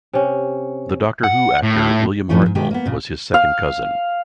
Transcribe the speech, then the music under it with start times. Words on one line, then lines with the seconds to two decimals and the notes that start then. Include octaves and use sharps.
The Doctor Who actor William Hartnell was his second cousin.
0.13 C3 C#4
1.24 F#5
1.63 A2
2.29 F2 A2 F3 A3 C#4 F4
2.42 F2 G#2
2.55 B2 D#3 G#3 G4
2.71 A#3 B3
2.85 A#2 C#3
3.34 F5